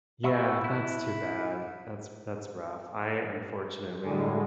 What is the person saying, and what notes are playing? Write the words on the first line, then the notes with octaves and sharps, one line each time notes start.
Yeah, that's too bad. That's that's rough. I unfortunately
E5 F#5 B5 C#6 E6
E4 F#6
A2 D3 G3 G#3